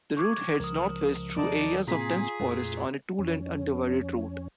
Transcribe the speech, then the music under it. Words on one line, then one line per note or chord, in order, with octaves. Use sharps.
The route heads northwest through areas of dense forest on a two-lane undivided road.
C#6 D6 G#6
C#2 F3 A#4 D#6
D#2 C3 E3 D4 D#4 D5
A2 C3 A#3 C4 F4 G#4 A#5 B6
F2 A#2 A3
F2 C#4